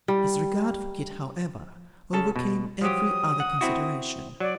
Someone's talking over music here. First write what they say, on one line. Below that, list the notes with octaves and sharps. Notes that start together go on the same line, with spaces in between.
His regard for Kit, however, overcame every other consideration.
G3
C#3 A4 A5
B2
F3 F#3 G4 D#6
F#5
C4 E4 F#4
F#3 D5